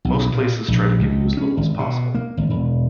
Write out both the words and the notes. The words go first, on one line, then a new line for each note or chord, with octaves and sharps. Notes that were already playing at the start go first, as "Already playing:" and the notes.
Most places try to give you as little as possible.
B1
A#2
A#1
C#2
C#4
G#1
B2
A#3
G#1
E1